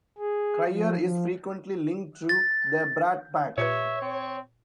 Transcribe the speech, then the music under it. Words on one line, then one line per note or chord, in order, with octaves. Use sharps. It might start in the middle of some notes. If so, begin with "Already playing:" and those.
Cryer is frequently linked to the Brat Pack.
G#4
F3
F3
A6
A#2 G4 B4 C#5 E5
C4